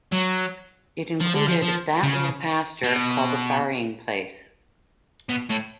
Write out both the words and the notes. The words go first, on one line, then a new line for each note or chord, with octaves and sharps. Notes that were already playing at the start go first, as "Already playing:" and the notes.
It included "that little pasture called the burying place".
F#3
F3
D3
F3
F3
C#3
B2
B2
A2